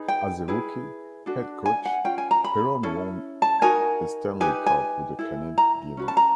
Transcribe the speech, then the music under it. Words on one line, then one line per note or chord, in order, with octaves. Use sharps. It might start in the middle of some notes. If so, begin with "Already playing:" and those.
As a rookie, head coach, Perron won a Stanley Cup with the Canadiens.
Already playing: D#4 G#4 B4
G5
E4 G#4 B4
D4 F#4 A4
G#5
F#5
C#4 F4 G5
G#5
A#5
B5
C#4 E4 A4
A5
D#4 F#4 A#4 G#5
D#4 G4 B4 G#5
G#5
E4 A4
A#5
C#4 F#4 B4
A5
A#5